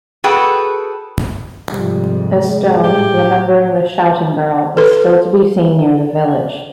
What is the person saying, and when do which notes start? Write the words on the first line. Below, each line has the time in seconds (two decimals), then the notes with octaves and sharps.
A stone, remembering the Shouting Girl, is still to be seen near the village.
0.24 F#4 G#4 A4 B4 F#5 G5
1.71 F2 G#2 C3 G3
2.35 G#3
2.83 A2 G4
4.77 A4 B4